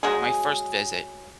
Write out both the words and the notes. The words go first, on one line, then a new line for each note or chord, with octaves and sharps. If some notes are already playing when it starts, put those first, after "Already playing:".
my first visit-
F#3 G#3 G#4